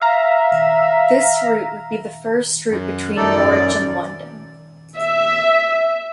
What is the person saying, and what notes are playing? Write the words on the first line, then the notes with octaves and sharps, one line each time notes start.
This route would be the first route between Norwich and London.
E5 F5 A#5
F#2
F#2 A3 D#4 A4 D5
G#2
E5